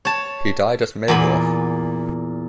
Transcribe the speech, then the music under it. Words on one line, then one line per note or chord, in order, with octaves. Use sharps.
He died at Meldorf.
C#5 A5
E2 A#2 B5